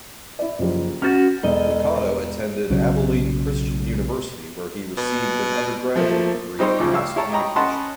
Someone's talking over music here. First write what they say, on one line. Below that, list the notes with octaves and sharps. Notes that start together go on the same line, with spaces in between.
Lucado attended Abilene Christian University where he received an undergraduate degree in Mass Communication.
E4 D5
F#1 F3 G4
C#4 F#4 F6 G6 A6
E1 A4 D#5
B1 C#3 F#3
B2
F3 A3 A#3
G3 C4 D#4 G4 C5 C#5
D2 C#3 F3 D6
G4 F5 C#6 E6
E4 G4 C#5 A5 A#5
D#5 G5 A#5 B5 C#6
C#4 D#5 F#5 A5 B5 C6